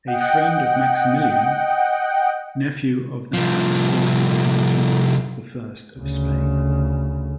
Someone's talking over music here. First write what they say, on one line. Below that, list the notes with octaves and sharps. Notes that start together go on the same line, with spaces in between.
A friend of Maximilian, nephew of the Habsburg King Charles the First of Spain.
D#5 F#5 G5
C2 F3
D2 C#3